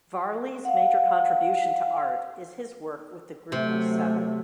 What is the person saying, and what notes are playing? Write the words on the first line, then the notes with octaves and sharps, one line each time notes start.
Varley's major contribution to art is his work with the Group of Seven.
F5 F#5
C3 F#3 A3